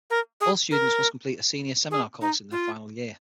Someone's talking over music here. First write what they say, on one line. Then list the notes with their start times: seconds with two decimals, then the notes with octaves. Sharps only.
All students must complete a senior seminar course in their final year.
0.10 A#4
0.41 G#4
0.71 A#4
1.91 G#4
2.21 D#4
2.51 F4